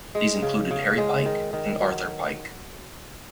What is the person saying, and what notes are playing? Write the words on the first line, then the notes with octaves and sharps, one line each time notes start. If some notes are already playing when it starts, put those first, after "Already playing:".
These included Harry Pike and Arthur Pike.
G#3
C#3
C#3
G#3
D#3
D#3
F#3